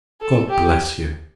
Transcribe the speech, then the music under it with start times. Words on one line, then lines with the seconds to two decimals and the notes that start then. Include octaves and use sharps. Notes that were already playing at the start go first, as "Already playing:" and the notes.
God bless you!
0.21 A4
0.49 G4